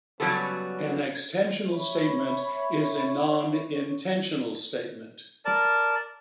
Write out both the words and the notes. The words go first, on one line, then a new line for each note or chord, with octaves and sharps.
An "extensional" statement is a non-intensional statement.
C#3 F#3 G3 B3 A4
C#5 E5 B5
A#4 D5 A5